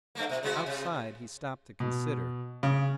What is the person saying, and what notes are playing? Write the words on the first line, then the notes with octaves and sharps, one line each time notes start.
Outside, he stopped to consider.
G2 A3 A#3
B2
C#3 G#3 F#4
C3
B2
C#3